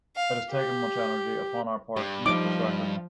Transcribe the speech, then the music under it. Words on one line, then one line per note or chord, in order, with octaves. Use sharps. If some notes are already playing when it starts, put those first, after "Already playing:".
It has taken much energy upon our part to make this record.
F5
G4
G2 G4
F3 G3 D#4 D6